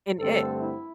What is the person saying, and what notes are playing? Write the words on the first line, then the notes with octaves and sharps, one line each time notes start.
And It.
G2 D3 A3 C4 A4
E4